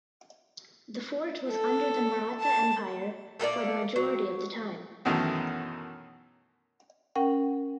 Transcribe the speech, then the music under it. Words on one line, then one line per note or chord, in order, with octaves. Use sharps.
The fort was under the Maratha empire for the majority of the time.
A4
A5
A3 A#3 A#4 D5
F#3
F#2 B2 D#3 E3 A3
C#4 A#4 F#5 G5